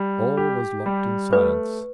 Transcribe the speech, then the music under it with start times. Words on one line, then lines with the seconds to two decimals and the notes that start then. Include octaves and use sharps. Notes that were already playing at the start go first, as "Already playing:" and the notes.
All was locked in silence.
Already playing: G3
0.37 G4
0.86 G3
1.33 A3 B4